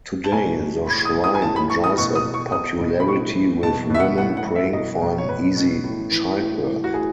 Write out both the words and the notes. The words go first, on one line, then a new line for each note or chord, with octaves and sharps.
Today the shrine enjoys a popularity with women praying for an easy childbirth.
A5
B2 G#5
B2
A2 B5
D#6
E3
D#6
G#5
A2 A5
B5
E3 C#6
D#6
B2 C#6
D#6
B2
C#6
B2 D#6
B2
B5
A2 C#6
E3
B2 A5
B2 E5
F#5
A2 F#5
F#5
E3
E5
B2 D#5
B2
C#5
B2 B4
B2
A2
E3
A2
E3
F#4
A2 G#4